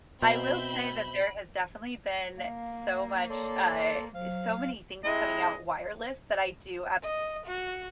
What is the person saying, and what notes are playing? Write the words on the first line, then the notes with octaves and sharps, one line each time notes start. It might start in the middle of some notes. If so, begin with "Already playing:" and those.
I will say that there has definitely been so much, uh so many things coming out wireless that I do
B2 C4 E5 B5 G6
A#3 F5
A4 C#5 D5 C6
F#3 C5 F5
C3 G#3 E4 D#5
D#5
F#4